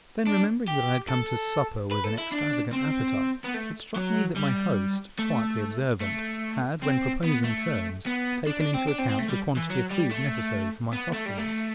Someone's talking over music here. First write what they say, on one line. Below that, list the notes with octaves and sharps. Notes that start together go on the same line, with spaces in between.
Then, remembering that I had come to supper with an extravagant appetite, it struck me that my host, quietly observant, had, when proposing terms, taken into account the quantity of food necessary for my sustenance.
D4
G4
A4
B4
A4
E4
D4
C4
B3
A3
F#3
G3
A3
A3
C4
B3
A3
B3
D4
D4
C4
D4
C4
C4
A3
G3
E3
F#3
G3
A3
B3
A3
G3
A3